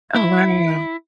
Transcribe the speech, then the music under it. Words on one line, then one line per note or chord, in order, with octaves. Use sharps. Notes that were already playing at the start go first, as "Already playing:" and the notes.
Oh, wow.
E4